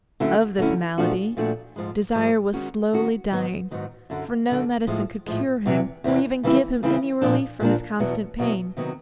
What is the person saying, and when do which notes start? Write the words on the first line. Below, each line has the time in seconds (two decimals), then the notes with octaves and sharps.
Of this malady, Desire was slowly dying, for no medicine could cure him or even give him any relief from his constant pain.
0.20 D3 F#3 A3 C#4 E4
0.58 D3 F#3 A3 C#4 E4
0.98 A#2 F3 A3 D4 F#4
1.37 A#2 F3 A3 D4 F#4
1.76 G#2 F3 G#3
2.15 G#2 F3 G#3
2.54 D#3 G#3 C#4 F#4
2.93 D#3 G#3 C#4 F#4
3.31 G#2 D#3 F#3 B3
3.71 G#2 D#3 F#3 B3
4.10 F#2 D3 F#3
4.49 F#2 D3 F#3
4.87 A2 F3 G#3
5.27 A2 F3 G#3
5.66 E2 C3 E3
6.04 E2 C3 E3
6.43 C#3 E3 G3 C4 E4
6.83 C#3 E3 G3 C4 E4
7.22 A#2 F3 A#3 D4
7.60 A#2 F3 A#3 D4
8.00 E2 B2 F#3 B3
8.38 E2 B2 F#3 B3
8.77 C3 D#3 F#3 B3